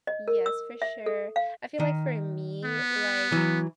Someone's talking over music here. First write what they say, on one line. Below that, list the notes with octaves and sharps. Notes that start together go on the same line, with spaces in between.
Yes, for sure, I feel like for me, like,
D#5
A#4
E6
E5
A4
F5
D#3
B3
E3 F#3